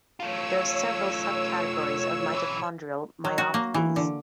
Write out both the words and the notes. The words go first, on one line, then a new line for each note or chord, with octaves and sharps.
There are several subcategories of mitochondrial myopathies.
A3 F4 C#5 E6
B1 E3
F#3
F#4
A#3
E3
D3